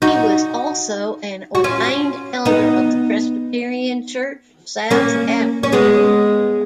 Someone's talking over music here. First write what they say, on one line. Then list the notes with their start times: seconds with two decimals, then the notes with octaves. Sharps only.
He was also an ordained elder of the Presbyterian Church of South Africa.
0.02 D#4 F#4
1.55 F#4
1.64 C#4 F4
2.45 B3 D#4
4.90 A#3 C#4
5.63 C#4
5.72 G#3 B3